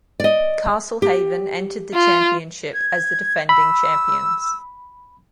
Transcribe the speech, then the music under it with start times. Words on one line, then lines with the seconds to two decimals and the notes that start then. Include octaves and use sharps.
Castlehaven entered the championship as the defending champions.
0.20 D5 D#5
1.02 G4
1.94 F4
2.74 G#6
3.49 B5 E6